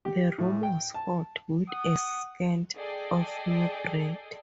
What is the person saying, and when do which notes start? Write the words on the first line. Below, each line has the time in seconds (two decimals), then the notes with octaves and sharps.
The room was hot, with a scent of new bread.
0.05 G4
0.38 A2
0.63 G5
0.94 A5
1.68 F#5 D#6
2.76 G#4 A4 D5 D#5 G5